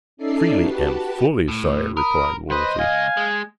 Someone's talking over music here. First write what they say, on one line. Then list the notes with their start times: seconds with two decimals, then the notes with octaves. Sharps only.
"Freely and fully, sire," replied Wolsey.
0.17 C#4 D#4 A4 D5 E5 C7
0.60 F#4 G4 B4 A5
1.48 A2
1.97 A#4 B5 D#6
2.50 C#2 B4 C5 D#5
2.79 F5 G#5
3.17 G#3